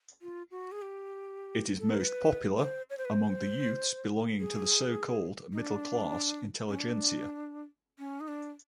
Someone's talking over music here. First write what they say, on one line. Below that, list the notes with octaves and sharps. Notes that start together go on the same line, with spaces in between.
It is most popular among the youths belonging to the so-called "middle-class intelligentsia".
F4
F#4
G#4
G4
A4
A#4
B4
C5
C#5
C5
B4
C5
G#4
D#4
D4
C#4
D4
C#4
D#4
D4